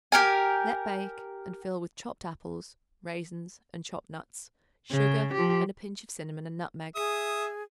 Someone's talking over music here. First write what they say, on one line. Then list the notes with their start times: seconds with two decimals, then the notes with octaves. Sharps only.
Let bake and fill with chopped apples, raisins and chopped nuts, sugar and a pinch of cinnamon and nutmeg.
0.12 G4 A#4 G#5
4.91 C#3
5.33 F3 G4
6.96 G#4 E5 D#6